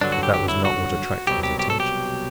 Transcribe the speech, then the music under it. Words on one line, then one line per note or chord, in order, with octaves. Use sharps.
But that was not what attracted his attention.
G2 D3 F#3 D4
F#4
G4
G4
E4
F#4
C2 B2 F#3 G4
G4
G4
A4
G4